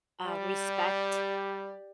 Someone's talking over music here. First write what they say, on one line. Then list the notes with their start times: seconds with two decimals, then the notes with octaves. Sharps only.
uh, respect,
0.25 G3 G4 D5